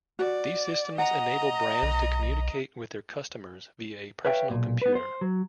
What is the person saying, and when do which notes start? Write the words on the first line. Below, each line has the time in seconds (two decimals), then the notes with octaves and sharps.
These systems enable brands to communicate with their customers via a personal computer.
0.19 F#4 D5
0.98 D#5 F#5 A#5
1.83 B1
4.25 B4 C#5 E5 F5 G5
4.50 B1 A#2
4.82 B3 B4
4.95 C5
5.21 F#3